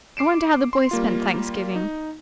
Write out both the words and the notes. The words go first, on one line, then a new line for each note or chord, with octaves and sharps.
I wonder how the boys spent Thanksgiving.
D6 C7 D7 E7
C6
G3 A#3 F4
D#4